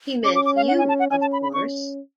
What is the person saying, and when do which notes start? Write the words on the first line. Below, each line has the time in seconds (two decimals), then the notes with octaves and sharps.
He meant you, of course.
0.24 C#4 D6
0.35 D6
0.46 D6
0.56 F5
0.68 F#5
0.79 G#5
0.89 A5
0.99 F#5
1.11 C#4 G#5
1.21 A5
1.33 B5
1.43 B5
1.54 C#4 C#6